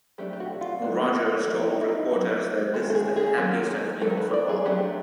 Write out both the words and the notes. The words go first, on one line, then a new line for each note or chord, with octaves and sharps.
Rodgers told reporters that this is the happiest I've been in football.
F#3 A3 D4 G4
G4
F#4
F4
D#3 F#3 B3 D4
F3 A3 D4 E4
D#4
E4
D#4
F#3 A3 C#4
D#3 G#3 C#4 A4
A4
G#4
G#4
D#3 F#3 A#3 C#4
D#3 F#3 A4
A#4
B4
D5
G#4
F#3 A3 D4 G4